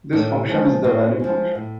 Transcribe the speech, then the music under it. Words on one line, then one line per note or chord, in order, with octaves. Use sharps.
This function is the "value function".
A2 D4
F3 G#3 C#4
A2 C4
F3 G#3
A2